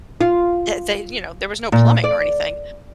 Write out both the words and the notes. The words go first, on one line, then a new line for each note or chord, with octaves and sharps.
eh they, you know, there was no plumbing or anything,
F4
A#2
D5